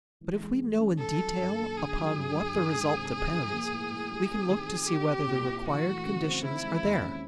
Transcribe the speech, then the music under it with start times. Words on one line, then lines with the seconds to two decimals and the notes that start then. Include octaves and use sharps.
But if we know in detail upon what the result depends, we can look to see whether the required conditions are there.
0.21 E3
0.40 G#3
0.59 G#2
0.79 C#4
0.98 D#3 A4
1.18 F#3
1.38 G2
1.57 A#3
1.76 D3 G#4
1.96 F#3
2.16 G2
2.34 G2
2.54 D#3
2.74 G#3
2.94 C3
3.13 B3
3.32 F3
3.52 A#3
3.71 A2
3.91 A2
4.10 G3
4.30 C4
4.49 D#3
4.68 F4
4.88 G3 G4
5.08 C4
5.27 A#2
5.47 E4
5.66 E3 F#4
5.85 A3
6.05 C#3
6.25 C4
6.43 D#3 E4
6.63 G#3
6.83 D#2
7.03 C#4